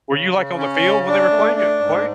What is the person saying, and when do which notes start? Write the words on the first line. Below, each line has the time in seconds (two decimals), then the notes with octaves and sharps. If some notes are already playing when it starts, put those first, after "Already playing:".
Were you, like, on the field when they were playing it playing?
0.10 C#3
0.34 C#3
0.58 C#4
0.82 C#3
1.07 D4
1.31 A3
1.56 D4
1.80 G#2